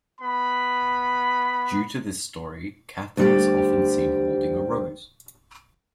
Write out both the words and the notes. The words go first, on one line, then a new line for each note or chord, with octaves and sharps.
Due to this story, Catherine is often seen holding a rose.
B3 B5
D2 G3 G4